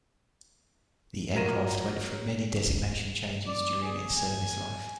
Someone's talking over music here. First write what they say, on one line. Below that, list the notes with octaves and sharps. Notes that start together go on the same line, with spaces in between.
The aircraft went through many designation changes during its service life.
F#3 F4 A#4 A#6 D#7 E7
D5
G#4
G#5